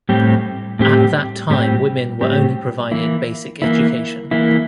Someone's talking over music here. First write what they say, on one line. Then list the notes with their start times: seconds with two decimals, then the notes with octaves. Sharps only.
At that time women were only provided basic education.
0.09 A2 G3 C4 G4
0.79 A2 G3 C4 G4
1.50 A2 G3 C4 G4
2.21 A2 G3 C4 G4
2.91 E3 A#3 E4
3.62 E3 A#3 E4
4.31 E3 A#3 E4